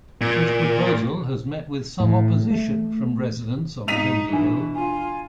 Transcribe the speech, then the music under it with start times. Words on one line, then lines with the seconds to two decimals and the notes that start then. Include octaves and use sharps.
This proposal has met with some opposition from residents on Kilvey Hill.
0.21 A#2
2.00 A2
2.51 A3
3.88 G#2 D#4 B6 D#7 F7
4.33 B2 E3 D4
4.75 F4 G#5